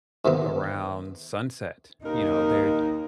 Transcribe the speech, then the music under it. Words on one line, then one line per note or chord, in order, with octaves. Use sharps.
around sunset, you know, they're,
G#2 C3 D#3 B3
D#2 D#4 A#4